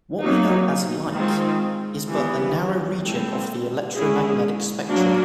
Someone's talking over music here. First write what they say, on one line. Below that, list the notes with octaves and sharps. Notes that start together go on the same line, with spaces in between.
What we know as "light" is but a narrow region of the electromagnetic spectrum.
F#3 A#3 D#4
D#3 G#3 C4 F4
E3 G3 B3
G#3 C4 E4 A4
G#3 C#4 E4 G#4
F#3 A#3 D4 F#4